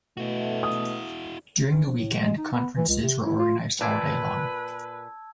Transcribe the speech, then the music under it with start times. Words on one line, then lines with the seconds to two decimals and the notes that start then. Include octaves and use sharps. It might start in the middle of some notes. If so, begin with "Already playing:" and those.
During the weekend, conferences were organized all day long.
0.17 B2 A3 E4 F#4
0.63 D#6
1.69 E3
1.86 F3
1.97 A2
2.14 G#3
2.25 G#3
2.37 D#4
2.52 B3
2.77 E3
2.88 C#2
3.02 C3
3.25 E4
3.39 F4
3.81 A#2 B4 D5 A5 E6 G#6